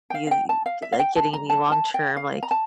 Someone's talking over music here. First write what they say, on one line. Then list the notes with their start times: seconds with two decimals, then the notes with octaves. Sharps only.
be, like, getting any long term, like,
0.10 G5
0.14 F5
0.27 F5
0.31 G5
0.49 A5
0.66 F5
0.82 E5
0.92 F5
0.99 G5
1.16 A5
1.33 A#5
1.50 A5
1.72 A5
1.94 G5
2.17 F5
2.43 A#5
2.51 A5